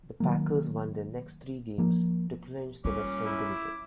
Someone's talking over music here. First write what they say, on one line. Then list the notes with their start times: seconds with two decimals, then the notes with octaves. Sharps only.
The Packers won their next three games to clinch the Western Division.
0.20 D#3 F#3 A#3
1.78 F3 A#3
2.85 A#2 G3 C#4 D6
3.25 E4